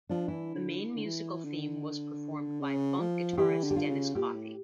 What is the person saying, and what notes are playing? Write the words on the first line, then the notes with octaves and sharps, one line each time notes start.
The main musical theme was performed by funk guitarist Dennis Coffey.
F3 D4
E3 E4
D3
D3
E3
D3
C#3
F3
F4
E3 G4
D3
G4
F4
C#3
A#2 G4
A2